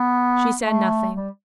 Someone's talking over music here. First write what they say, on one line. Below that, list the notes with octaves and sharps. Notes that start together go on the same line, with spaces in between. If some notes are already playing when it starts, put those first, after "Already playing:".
She said nothing.
Already playing: B3
A3
G3